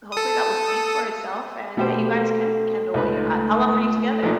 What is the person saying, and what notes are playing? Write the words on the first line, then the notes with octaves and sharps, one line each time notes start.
hopefully that will speak for itself and that you guys can rekindle what you had. How long were you together?
A4 D#6
B2 A3 G4 C5
C#2 D#4 B4
A#1 A#2 D#4